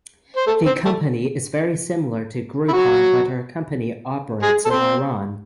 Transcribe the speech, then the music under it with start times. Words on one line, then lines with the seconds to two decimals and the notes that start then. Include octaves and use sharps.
The company is very similar to Groupon but her company operates in Iran.
0.36 C5
0.47 A3 A4
0.66 C4 C5
0.85 A3 A4
2.68 E4
2.73 F#3 F#4
4.42 G#3 G#4
4.66 A4
4.70 C4 C5